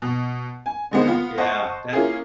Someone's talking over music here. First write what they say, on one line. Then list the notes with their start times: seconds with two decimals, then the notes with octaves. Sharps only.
Yeah. That
0.02 B2
0.66 G#5
0.91 D3 D#3 G#3 A#3 B3 C5
1.07 B3 F4
1.38 C5 D#5 F#5 A5 C#6
1.93 A#3 C#4 E4 F4 G#4